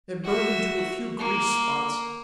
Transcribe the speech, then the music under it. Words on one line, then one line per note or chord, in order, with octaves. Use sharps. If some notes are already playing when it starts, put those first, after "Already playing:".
It burned him to a few grease spots.
F#4 E5
A#3